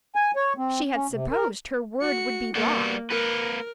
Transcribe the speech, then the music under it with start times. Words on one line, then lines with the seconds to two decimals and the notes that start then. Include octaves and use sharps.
She had supposed her word would be law.
0.15 G#5
0.36 C#5
0.57 C4
0.94 C#4
1.12 C3
1.32 A#4
2.01 F#4 C#7
2.55 G3 A#3 B3 F#4
3.10 A#3 A#4 B4